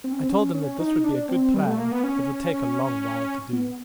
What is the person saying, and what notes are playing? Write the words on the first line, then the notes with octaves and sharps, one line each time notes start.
I told him that this would be a good plan, but would take a long while to do.
C4
C#4
C4
C#4
C#4
D#4
D4
C4
G3
A3
A#3
B3
C#4
B3